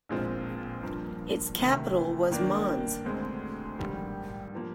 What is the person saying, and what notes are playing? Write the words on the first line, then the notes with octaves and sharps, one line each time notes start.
Its capital was Mons.
A#1 A#2 G#3 C4 F4
G2 F3 A#3
D2 C3 D#3
G2 D#3 A#3 D4
D2 D3 G#3 C4
A#1 G#2 D#3 G3
F3 A#3